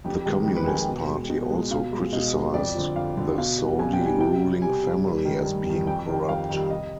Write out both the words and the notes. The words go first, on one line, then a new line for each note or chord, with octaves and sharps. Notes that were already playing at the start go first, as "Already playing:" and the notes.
The Communist Party also criticized the Saudi ruling family as being corrupt.
F2 G4
D#3 G#3
F2
B4
D#3 G#3 G#5
G5
B2
G#3
B2
G#3
B2 F5
G#3
B2 D#5
G#3
F2 D5
D3 F3
F2 F5
D3 F3
B2 F5
G3
B2 G#5
G5
G3
G#5
C3 G5
G3
C3 G#5
G3
G2
D#3 G3
G2
D#3 G3
F2 G5
D#3 G3
F2 F5
D#3 G3
C3 D#5